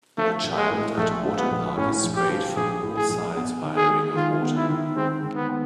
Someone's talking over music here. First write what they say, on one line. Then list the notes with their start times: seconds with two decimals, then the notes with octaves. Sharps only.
A child at a water park is sprayed from all sides by a ring of water.
0.17 F3 A3
0.43 A#1
0.57 G#3
0.70 A2
0.97 A#1 A3
1.23 F3
1.38 B3
1.51 A#1
1.77 A2 C#4
2.04 A#1
2.16 G4
2.29 F3
2.56 A#1 G#4
2.83 A2
2.96 G#4
3.09 A#1
3.37 B3
3.63 D#3
3.76 G#4
3.89 G#3
4.15 D#3 F4
4.42 B3
4.56 E4
4.69 D#3
4.96 G#3 C4
5.23 D#3
5.35 B3
5.49 B3